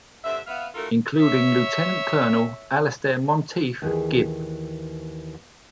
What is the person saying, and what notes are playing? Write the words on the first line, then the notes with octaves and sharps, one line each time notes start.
Including Lieutenant Colonel Alistair Monteith Gibb.
G2 D3 C4 E5
B3 E5 F5
A3 D#4 F4 F#4 A4 A#4
C#5 E5
D#2 E3 G#4